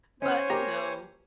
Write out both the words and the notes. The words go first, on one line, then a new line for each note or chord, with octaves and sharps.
but you know,
C#4 C5 C#5 G#5 F6
A#3 G4 A#5